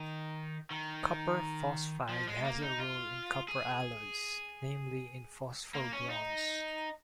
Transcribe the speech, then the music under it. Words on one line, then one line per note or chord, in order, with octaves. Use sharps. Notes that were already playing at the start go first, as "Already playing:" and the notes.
Copper phosphide has a role in copper alloys, namely in phosphor bronze.
Already playing: D#3
D#3
F3
G#3
A#3
D#4
F4
G#4
A#3
C#4
D#4